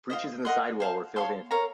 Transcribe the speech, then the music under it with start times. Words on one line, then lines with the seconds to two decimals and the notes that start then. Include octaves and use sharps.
Breaches in the side wall were filled in.
0.10 F4 C5 D#5
0.45 A#4 D#5 F#5 C6
0.80 C5 F5 A5
1.16 C#5 F5 A5 C6
1.51 A#4 C#5 F5 A#5